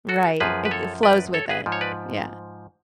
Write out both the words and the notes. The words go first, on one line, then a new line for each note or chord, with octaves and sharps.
Right. Like, flows with it, yeah.
F#4 A4
F#2 F3 G#4 B4
B4
A4 C#5
B4 D5
A4 C#5
G#4 B4
G#2 F3
C#5
B4 D5